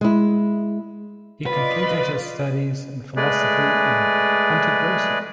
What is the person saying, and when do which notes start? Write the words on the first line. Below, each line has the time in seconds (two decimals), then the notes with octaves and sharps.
He completed his studies in philosophy in Ponta Grossa.
0.01 G#3 E4
1.46 F4 B4 D5 D#5
3.16 G#3 A3 G#4 B4 D5